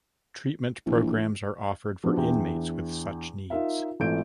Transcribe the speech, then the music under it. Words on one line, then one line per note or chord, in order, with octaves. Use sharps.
Treatment programs are offered for inmates with such needs.
A#1 E3
F3 B3 D4 D#4 F#4 G4
E2 D4 E4 G5
D#4 F4 A#4 E5 F5
G#1 E3 A3 F4 G6 D7